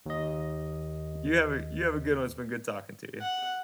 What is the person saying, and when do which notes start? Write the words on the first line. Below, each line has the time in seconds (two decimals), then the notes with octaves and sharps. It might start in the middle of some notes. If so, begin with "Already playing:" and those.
you have a you have a good one, it's been good talking to you.
0.06 D#2 D#5
3.21 F#5